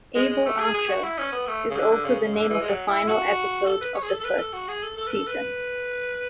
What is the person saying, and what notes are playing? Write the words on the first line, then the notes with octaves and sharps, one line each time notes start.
Able Archer is also the name of the final episode of the first season.
G#3
G#3
A3
G#4
G#4
F#4
E4
C#4
B3
A3
C#3
D3
D3
C#3
C#3
D3
E3
G#3
F#3
E4
F#4
A4
B4
C#5
G#4
A4
A4
B4
A4
F#4
G#4
A4
A4
B4
A4
B4